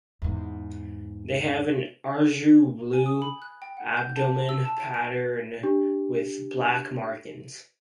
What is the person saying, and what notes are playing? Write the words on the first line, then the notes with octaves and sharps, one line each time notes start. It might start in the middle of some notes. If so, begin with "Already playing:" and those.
They have an azure blue abdomen patterned with black markings.
E2 G#2
G#5
D#6
B5
F#6
G5
F#5
G6
A5
E6
A5
D7
D7
D4 G4